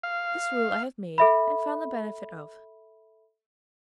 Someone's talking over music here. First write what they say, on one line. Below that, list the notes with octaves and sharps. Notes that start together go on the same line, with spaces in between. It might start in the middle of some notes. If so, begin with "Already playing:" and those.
This rule I have made, and found the benefit of.
F5
A4 E5 B5